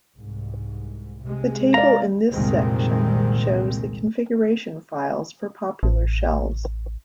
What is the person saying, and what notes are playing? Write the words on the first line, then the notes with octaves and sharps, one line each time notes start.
The table in this section shows the configuration files for popular shells.
C2 G#2
C3 G#3
D5 F5 A#5
F1 C2 A#2 D#3 G#3 C4
A1